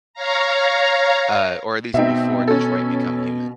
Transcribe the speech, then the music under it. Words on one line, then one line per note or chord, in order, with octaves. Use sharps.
uh, or at least before Detroit: Become Human,
C#5 F5 A#5
B2 C4 D#4 E5
C#4 A4